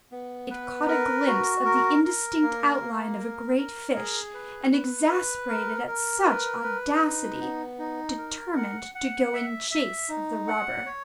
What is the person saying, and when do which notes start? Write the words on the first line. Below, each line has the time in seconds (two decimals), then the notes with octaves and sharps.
It caught a glimpse of the indistinct outline of a great fish, and exasperated at such audacity, determined to go in chase of the robber.
0.12 B3
0.50 B4
0.88 A#4
1.27 F#4
1.65 A#4
2.04 A#4
2.42 A#3
2.81 A#3
3.19 A#4
3.57 A#4
3.95 G#4
4.34 B4
4.72 B4
5.10 B4
5.49 A#4
5.87 A#4
6.25 B4
6.64 B4
7.02 D#4
7.40 B3
7.79 D#4
8.18 A#4
8.56 F#5
8.95 F#5
9.33 E5
9.71 E5
10.09 D#4
10.48 F#5
10.86 C#5